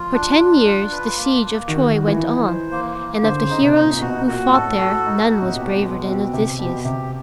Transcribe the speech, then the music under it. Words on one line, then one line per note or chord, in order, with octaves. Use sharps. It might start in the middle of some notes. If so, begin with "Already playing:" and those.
For ten years the siege of Troy went on, and of the heroes who fought there, none was braver than Odysseus.
Already playing: F3 F4
D4
D4
F4
B4
A#3
A#3
D#3 F#4
F#4
E3
D#4
C5
A#3
A#3
D3 C5
C#3
D#4
C3
D#4
A#2
A#2
B2 F#4
A#2 F#4
A2 A4
F#4
D#4
F#4
A2
A#2
B2 G4
B2 G#3
B2 C4
C3 G4
B2 G4
C3 G4